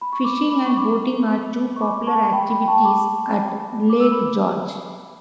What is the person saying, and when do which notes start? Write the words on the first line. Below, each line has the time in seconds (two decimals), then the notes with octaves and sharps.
Fishing and boating are two popular activities at Lake George.
0.01 B5
0.13 C#6
0.24 B5 D6
0.51 B5 D6
0.66 C#6
0.77 B5 D6
1.76 C#6
1.81 B5 D6
2.07 A5 C#6
2.33 G5 B5
2.50 G5 B5
2.68 A5 C#6
2.85 B5 D6
3.90 D6
4.00 E6
4.12 B5 D6